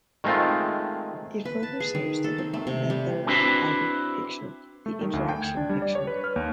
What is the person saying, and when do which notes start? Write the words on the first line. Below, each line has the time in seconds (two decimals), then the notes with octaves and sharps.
It further serves to define a third, hybrid, picture, the Interaction picture.
0.24 D#3 G#3 A3 C4 F4
1.45 B4
1.63 A5
1.80 G#4
1.95 D#3
2.24 A4
2.38 C4
2.54 A3
2.67 C3
2.90 G3
3.27 C4 D4 E4 F#4 B4 C5
4.86 A3
5.01 D#3
5.13 D2
5.29 G5
5.42 G#6
5.57 D4
5.69 G3
5.82 D5
5.95 C#5
6.07 B4
6.24 F6
6.36 D#2